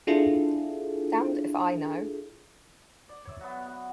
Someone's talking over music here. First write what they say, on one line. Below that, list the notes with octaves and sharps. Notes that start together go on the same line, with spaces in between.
Damned if I know.
D4 E4 F4 G#4 A4
D5
C#5 E5
F#3 B3
B3